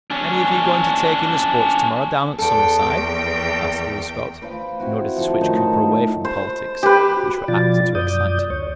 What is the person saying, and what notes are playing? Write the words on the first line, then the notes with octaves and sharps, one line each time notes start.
"Any of you going to take in the sports tomorrow down at Summerside?" asked Will Scott, in order to switch Cooper away from politics, which were apt to excite him.
C#4 D4
E2 A4 G5
B4 C5 F5 B5
C4 E4 F#4
F3 A4 A#5
F#2 A2 D#3 D#4
A5
C5
G4 B4
F#4
B2 F3 F4 D5 A6
F#2 D5 D#6 G6
D2 C#5